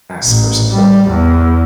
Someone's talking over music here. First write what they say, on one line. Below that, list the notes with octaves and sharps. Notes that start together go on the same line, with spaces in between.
ask for support."
A1
G3
E2